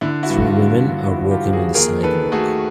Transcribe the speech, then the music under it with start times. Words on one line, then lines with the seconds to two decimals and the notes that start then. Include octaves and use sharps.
Three women are walking on the sidewalk.
0.01 D3 E4
0.23 E4 F#4
0.30 G2
0.45 F4
0.59 D3
0.88 D3 F4
1.09 E4 F#4
1.17 F3
1.31 F4 G4
1.46 F3
1.53 F#4 G#4
1.74 D#2 G#4 A#4
2.03 D#3 A4 B4
2.32 A3 F#4 G#4